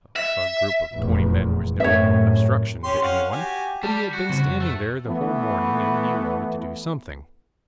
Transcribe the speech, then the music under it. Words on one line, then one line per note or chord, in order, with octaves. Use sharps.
A group of twenty men was no obstruction to anyone, but he had been standing there the whole morning, and he wanted to do something.
E5
F1 E2 A#2
F#2 A2 C3 C#5 E5
C#4 G4 C6
C#4 F5 F#5
F#4 G4 G#5
G3 A5
F#4
C#3 G3 C4
F2
A3
E3 A3 B3